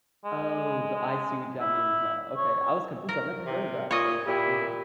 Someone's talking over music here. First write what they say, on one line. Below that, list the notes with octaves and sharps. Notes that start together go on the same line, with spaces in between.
Oh, go I see what that means now, okay, I was confused, I've never heard of that, like, before.
G#3
E4
C#5
A#4
C3
A#2 F4 C#5 D#5
A#2 E4 G4